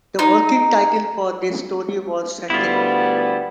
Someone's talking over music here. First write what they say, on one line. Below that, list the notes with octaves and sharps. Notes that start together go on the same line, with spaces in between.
The working title for this story was "Sentinel".
D#4
D2 G3 B3 E4 F4